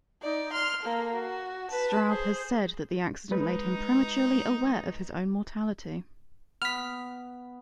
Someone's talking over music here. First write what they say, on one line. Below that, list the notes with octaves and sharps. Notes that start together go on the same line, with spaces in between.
Straub has said that the accident made him prematurely aware of his own mortality.
D#4 D5
C6 F6
A#3 A4
F#4
B4 A5
G#4 C5
G#3 D#4 B4
B3 F6 B6